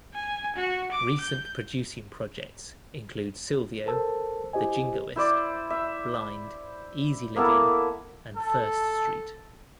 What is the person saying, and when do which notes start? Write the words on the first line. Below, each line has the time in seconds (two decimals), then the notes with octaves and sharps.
Recent producing projects include "Sylvio", "The Jingoist", "Blind", "Easy Living" and "Thirst Street".
0.14 G#5
0.56 F#4
0.91 D6
1.20 G6
3.86 A4 A#4 C5 A5 E6
4.53 E4 G4 C5 D#5 G#5
5.16 E4 C5 D5
5.70 E5
7.36 A#3 B3 E4 A4
8.37 A4